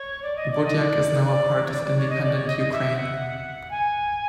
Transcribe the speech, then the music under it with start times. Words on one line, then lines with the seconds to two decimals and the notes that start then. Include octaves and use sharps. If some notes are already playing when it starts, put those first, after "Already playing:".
Budjak is now a part of independent Ukraine.
Already playing: C#5
0.22 D5
0.36 D#5
0.50 D5
0.64 D#5
0.76 D5
1.21 D5
1.62 C#5
1.71 D5
1.84 D5
1.97 C#5
2.09 D#5
2.22 D5
2.33 C#5
2.46 D#5
2.58 D#5
2.71 E5
2.96 F#5
3.71 G#5